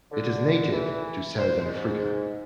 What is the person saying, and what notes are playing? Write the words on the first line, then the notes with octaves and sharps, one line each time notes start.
It is native to Southern Africa.
D3
E3
C5
G#2